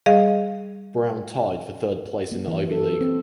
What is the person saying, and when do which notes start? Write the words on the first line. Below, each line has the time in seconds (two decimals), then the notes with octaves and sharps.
Brown tied for third place in the Ivy League.
0.06 G3 G#4 D#5 F5
2.32 A#3
2.48 E3
2.71 A4
3.01 C4